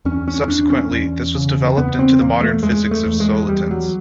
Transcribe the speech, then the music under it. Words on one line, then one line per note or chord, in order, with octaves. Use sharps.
Subsequently, this was developed into the modern physics of solitons.
E2 C#4
C#4
E2 D4
C#4
E2
C#3
E2 B3
C4
E2 A#3
A3
E2 G#3
A3
E2
G#3
E2 G3
F#3